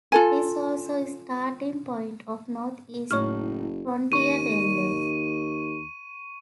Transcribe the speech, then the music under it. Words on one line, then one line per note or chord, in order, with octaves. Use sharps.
It is also starting point of North East Frontier Railway.
F4 A4 G#5
F#1 A2 D#4 C#5 C#6 F6
D#2 C#6 D#7